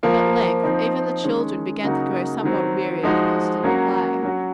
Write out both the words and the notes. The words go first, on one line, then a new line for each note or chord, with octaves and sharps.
But at length even the children began to grow somewhat weary of constant play.
F3 A#3 F4
F3 C4 D#4
D#3 G#3 C#4
C#3 F#3 A#3 D#4 F#4
D#3 F#3 C4
F3 G#3 D#4 F#4
F#3 A#3 C#4 F#4
F#3 C#4 F#4